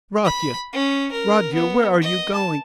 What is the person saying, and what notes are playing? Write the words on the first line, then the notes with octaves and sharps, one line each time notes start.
Rodya, Rodya, where are you going?
B5
C#4
A#4
B3
D#5
A5